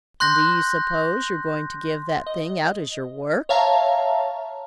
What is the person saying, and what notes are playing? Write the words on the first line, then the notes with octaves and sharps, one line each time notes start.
'And do you suppose you're going to give that thing out as your work?'
C6 F#6 G6 A#6
D#5
C#5 E5 F5 A5 A#5